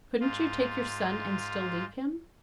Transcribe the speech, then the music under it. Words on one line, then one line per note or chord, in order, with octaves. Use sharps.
"Couldn't you take your son, and still leave him?"
G#2 F4